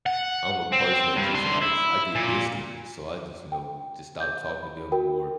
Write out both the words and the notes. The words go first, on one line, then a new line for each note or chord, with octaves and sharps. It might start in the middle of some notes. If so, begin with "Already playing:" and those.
I'm a person that just likes I get distant, so I just, you know, just stop talking to them, or
F#5
C4
G2
D3 C6
E4
A#2
G5
G6
B5
F#4 A#4 G5